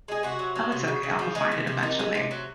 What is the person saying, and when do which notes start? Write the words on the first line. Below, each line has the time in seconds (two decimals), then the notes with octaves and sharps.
Oh, it's okay, Imma find it eventually.
0.08 G#3 G#4
0.23 C3 F#4
0.39 F#3
0.55 F#3
0.72 C3
0.88 C#3
1.03 C#3
1.19 F3
1.35 G#3
1.52 C3
1.67 C3
1.83 D#3
1.99 G#3
2.15 C3
2.31 F#3